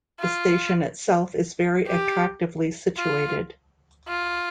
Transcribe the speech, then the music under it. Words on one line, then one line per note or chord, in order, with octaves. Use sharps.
The station itself is very attractively situated.
F4
G4
F4
F4